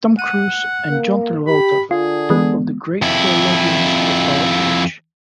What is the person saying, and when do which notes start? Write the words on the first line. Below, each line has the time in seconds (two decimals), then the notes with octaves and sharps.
Tom Cruise and John Travolta - two of the great theologians of our age.
0.19 F#5 D#7
0.90 A#3
1.47 G4 B5
1.91 D3 F4 G#4
2.30 E3 G#3 B3
3.02 F2 E4